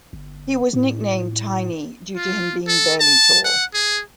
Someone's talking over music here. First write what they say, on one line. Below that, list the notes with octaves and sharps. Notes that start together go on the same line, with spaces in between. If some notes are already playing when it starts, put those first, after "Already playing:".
He was nicknamed "Tiny", due to him being barely tall.
G1
A2
F4
A4
A5
F#5
G#4